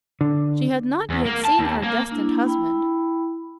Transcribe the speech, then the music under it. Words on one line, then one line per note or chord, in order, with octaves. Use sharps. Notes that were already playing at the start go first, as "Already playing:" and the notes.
She had not yet seen her destined husband.
D3
E2
A#3
A5
D#2
A#3
A#3 D4 E4
E4 G5 B5